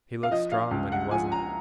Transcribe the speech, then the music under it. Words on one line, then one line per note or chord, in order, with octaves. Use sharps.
He looked strong, but he wasn't.
F5
F3 D#5
F5
C#2
F#5
F3 G#5
A#5